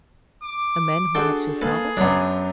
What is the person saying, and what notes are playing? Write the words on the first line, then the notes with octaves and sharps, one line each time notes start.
"A man who helps your father?"
D6
D4 F#4 G#4 A4 G5 C6
A#3 G#4 A4 B4
F#2 F#3 B3 D4